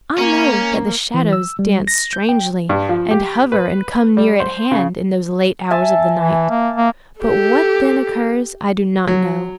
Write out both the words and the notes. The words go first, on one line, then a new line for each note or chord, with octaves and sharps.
I know that the shadows dance strangely, and hover and come near at hand, in those late hours of the night; but what then occurs I do not know.
A#3 C#4
E3
E6
G3
A#6
G6
G5
G2
F3
G4
B4
G3
C5
C#3
E5 G#5 A5
E3
A#3
A#3
G4 A4
F#3